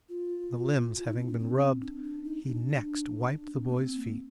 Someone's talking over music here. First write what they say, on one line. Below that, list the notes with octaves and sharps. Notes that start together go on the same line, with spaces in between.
The limbs having been rubbed, he next wiped the boy's feet.
F4
F4
D#4
C4
D4
C4
D4
D4
D#4
D4
D4
C4
A#3
C4
A#3